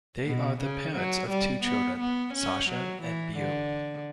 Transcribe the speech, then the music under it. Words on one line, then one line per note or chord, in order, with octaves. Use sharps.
They are the parents of two children, Sasha and Beau.
B2
C#3
F#3
G3
B3
B3
C#4
F#3
E3
D3